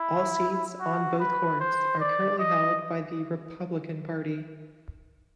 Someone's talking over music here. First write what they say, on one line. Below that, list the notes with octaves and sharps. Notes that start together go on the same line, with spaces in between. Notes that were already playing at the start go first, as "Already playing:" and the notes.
All seats on both courts are currently held by the Republican Party.
Already playing: E4
F#4
B4
C5
D5
D#5